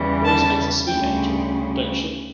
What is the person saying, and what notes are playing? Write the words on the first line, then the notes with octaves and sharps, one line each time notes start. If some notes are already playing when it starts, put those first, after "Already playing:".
Rose makes a sweet angel, don't she?
Already playing: E2 C#3 E3 G3
A5
D2 C#3 G3 G5